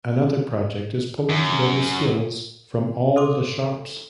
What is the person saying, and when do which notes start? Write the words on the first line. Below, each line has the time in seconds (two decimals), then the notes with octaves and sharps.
Another project is pulling together skills from all the shops.
1.29 F#2
3.16 A4 C6 D6